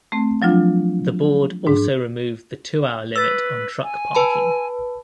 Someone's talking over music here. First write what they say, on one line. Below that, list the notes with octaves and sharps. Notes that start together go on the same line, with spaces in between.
The Board also removed the two-hour limit on truck parking.
A3 C4
F3 F#3 D4 F4
G#2 D4
B4 E6 A6
G#5
B4 A5 B5